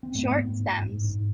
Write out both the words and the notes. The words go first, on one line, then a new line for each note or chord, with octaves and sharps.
Short stems.
C4
G#2 A3 B3
G#2
G#2
G#2
G#2